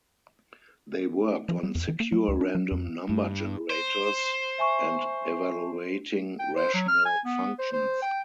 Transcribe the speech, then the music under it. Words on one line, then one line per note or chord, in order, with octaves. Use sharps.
They worked on secure random number generators and evaluating rational functions.
F3
G3
F2
E3
A#3
F#3
D2
D4
F#3
F2
G2
C5
E5 G#5 C#6
G5
C5
F#3
F6
G#5
B3
C5
C5
G5